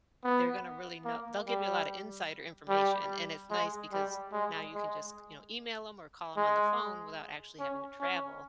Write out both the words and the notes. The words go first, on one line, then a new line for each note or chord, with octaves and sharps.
they're gonna really know they'll give you a lotta insider information, and it's nice because now you can just c you know, email 'em or call 'em on the phone without actually having to travel
B3
A#3
G3
G3
G#3
G3
G#3
G#3
G#3
C#4
C#4